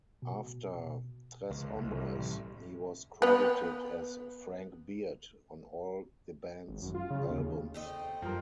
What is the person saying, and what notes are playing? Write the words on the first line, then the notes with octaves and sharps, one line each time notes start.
After "Tres Hombres", he was credited as "Frank Beard" on all the band's albums.
B2
C#2
C2
C2
A1
B3 B4
G#1
F#2
F4
C#3
D#2
A3 C4 D#5
F#2 F3 G3 A#4